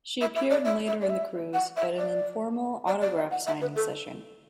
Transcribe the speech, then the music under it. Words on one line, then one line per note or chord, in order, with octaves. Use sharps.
She appeared later in the cruise at an informal autograph-signing session.
E5
E5
D5
E5
E5
D5
E5
F#5
E5
D5
D5
D5
E5
F#5
E5
B4
A4